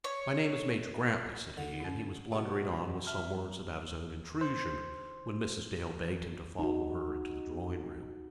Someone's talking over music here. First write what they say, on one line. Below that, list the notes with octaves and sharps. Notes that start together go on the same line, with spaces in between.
"My name is Major Grantly," said he; and he was blundering on with some words about his own intrusion, when Mrs. Dale begged him to follow her into the drawing-room.
C#5
D3
C#4 E4
B2 G#4
E5 A5 F6
C5
D#4 F#4